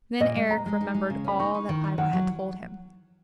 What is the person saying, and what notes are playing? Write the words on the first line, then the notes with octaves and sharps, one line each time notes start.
Then Eric remembered all that Ivra had told him.
A#2 D#5
G#3
G#3 A#5
G#3
D#4
G#3
C#3
C#4 B5
D#4 C#6
D#4
D#3
D#4
D#3 F#5
F#3